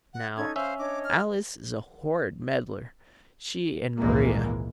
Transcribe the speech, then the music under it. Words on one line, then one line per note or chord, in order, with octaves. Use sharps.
Now Alice is a horrid meddler--she and Maria.
F#5
C#4 D#4 A4 G#6
C#4 C5 E5 F5
D4 C#5 D#5 D6
F6
G#1 C#2 A#2 E3 G#3 A#3